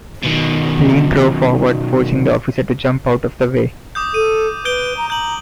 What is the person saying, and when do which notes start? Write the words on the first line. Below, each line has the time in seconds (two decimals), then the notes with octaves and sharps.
Lynn drove forward, forcing the officer to jump out of the way.
0.24 B2 D#3
3.95 D6 D#6 G6
4.14 A4 D#7
4.65 B4 G6 D7 G7
4.97 A#5
5.10 A#5 G6 F#7